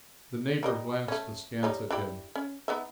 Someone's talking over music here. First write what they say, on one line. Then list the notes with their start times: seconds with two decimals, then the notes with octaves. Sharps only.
The neighbour glanced askance at him.
0.63 G3 A#4 D#5
1.08 A3 C#4
1.63 G3 D#4 C#5
1.91 D4 E4 G4
2.35 C#4
2.68 B3 D#4 E5